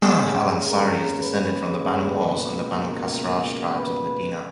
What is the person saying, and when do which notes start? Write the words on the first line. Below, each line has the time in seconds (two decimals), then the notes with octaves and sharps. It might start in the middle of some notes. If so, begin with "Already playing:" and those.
Al Ansari is descended from the Banu Aws and Banu Khazraj tribes of Medina.
0.18 D#2 C#3 G#3 G#4
0.69 A#4
1.21 B4
2.23 C#2 B2 A#3
2.74 A#4
3.76 B4